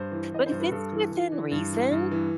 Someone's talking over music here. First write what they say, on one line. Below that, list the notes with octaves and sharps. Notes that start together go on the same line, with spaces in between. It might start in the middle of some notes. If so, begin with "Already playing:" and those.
But if it's within reason,
Already playing: G2 C5
E3
E3 D#5
C5
G2
B4
G2 A4
E3
E3
E3
G2
E3
G2
E3